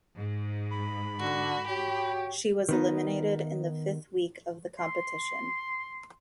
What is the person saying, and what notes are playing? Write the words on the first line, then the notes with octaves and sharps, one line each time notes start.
She was eliminated in the fifth week of the competition.
G#2
B5
D3 F#4
F#4 G4 C#5 G5
D#3 B3 D#4
C6